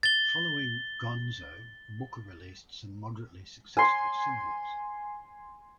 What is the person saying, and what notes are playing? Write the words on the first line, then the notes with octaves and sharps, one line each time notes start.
Following "Gonzo", Booker released some moderately successful singles.
A6 G7
G#5 C6